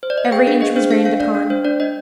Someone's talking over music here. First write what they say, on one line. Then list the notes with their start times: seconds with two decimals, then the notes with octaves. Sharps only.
Every inch was rained upon.
0.03 C5
0.10 D5
0.18 D#5
0.25 F5
0.31 G#4 G5
0.47 D4 F5
0.61 G#4 D#5
0.76 D4 C5
0.91 D4 F5
1.05 D4 F5
1.20 D4 D5
1.35 D4
1.50 D4 C5
1.65 D4 D5
1.80 D4 D#5